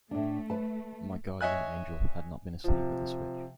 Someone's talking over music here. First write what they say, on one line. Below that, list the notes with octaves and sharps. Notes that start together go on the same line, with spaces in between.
My guardian angel had not been asleep at the switch.
A2 A3 D4
B4 A5
C#5 D#5 E5 G#5 F#6
C3 F3